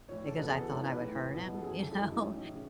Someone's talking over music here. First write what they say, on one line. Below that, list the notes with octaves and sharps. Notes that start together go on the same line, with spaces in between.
because I thought I would hurt him, you know?
A2 E3 C#5
A4
E2 B2 B4
G#4
A4
G#2 E3 C#5
B4
A2 E3
E2 B2
A4
F#2 E3 G#4
A4
F#2 E3 G#4
E4
D#4
A2 E3 C#4
D#4
C#3